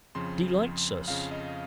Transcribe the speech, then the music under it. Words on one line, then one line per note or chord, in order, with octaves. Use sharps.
Delights us.
F2 C#3 F3 C6
F2 C#3 F3 F5
D#5